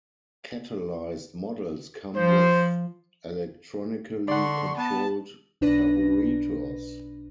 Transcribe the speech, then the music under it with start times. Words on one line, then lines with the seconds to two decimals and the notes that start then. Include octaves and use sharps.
Catalyzed models come with electronically controlled carburetors.
2.16 F3 C5
4.28 D3 D5 F#5 C6 C#6
4.77 B3 B4 A5
5.61 B1 D4 B4 A#6